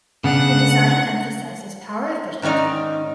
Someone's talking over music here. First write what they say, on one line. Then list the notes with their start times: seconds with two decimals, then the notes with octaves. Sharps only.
The design emphasizes power efficiency.
0.24 C#3 B3 D4 F#5
2.42 G#2 D#3 C#4 D#4 D5